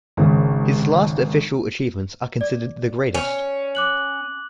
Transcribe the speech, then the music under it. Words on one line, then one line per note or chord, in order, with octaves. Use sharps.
His last official achievements are considered the greatest.
G#1 C#3
D5
C#4
D6 F#6 F#7